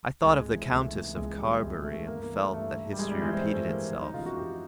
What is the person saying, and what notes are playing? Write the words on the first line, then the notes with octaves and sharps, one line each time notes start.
I thought of the Countess of Carberry, and felt that history repeated itself.
C#2 G#3
C3 E3
C#2 A3
C3 E3
C#2 G#3
C3 E3 G3
C#2 G#3
C3 E3 A3
G2 A#3
A#3
E3
A3
G2 A3
E3
G3
G2 G#3
G3
E3 G#3
C4
G2 A3
E3 A#3
F2
D#4
C#3 E3 F4
F#4
F2 G4